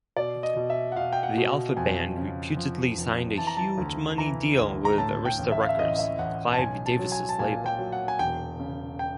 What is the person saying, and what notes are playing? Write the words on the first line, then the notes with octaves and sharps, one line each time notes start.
The Alpha Band reputedly signed a huge-money deal with Arista Records, Clive Davis's label.
B2 D5
D#5
B2
E5
F#5
B2 F5
G5
F#5
B2
F2 G#5
C#3
F3
F1
E3 A5
A#5
A5
D2
E3 A#5
D2
A#5
A2 A5
G5
A1
E5
F5
E5
A1 D#5
E5
A1 F#5
A5
B1 G#5
A5
F#3
G#5
A5
A#2 G#5
G5
F#3
F#5
G#5
E1 G5
C#3
G5